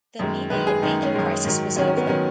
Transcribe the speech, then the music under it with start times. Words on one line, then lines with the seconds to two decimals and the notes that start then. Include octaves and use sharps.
The immediate banking crisis was over.
0.19 F#2 D#3 G#3
0.50 F#2 D#3 G#3 B4
0.67 G#4
0.82 F#2 D#3 G#3 D#4
1.03 C#4
1.14 F#2 D#3 G#3
1.45 G#2 D#3 F#3
1.76 G#2 D#3 F#3 C#4
1.88 C#4
1.97 B3
2.07 D#3 F#3 C#4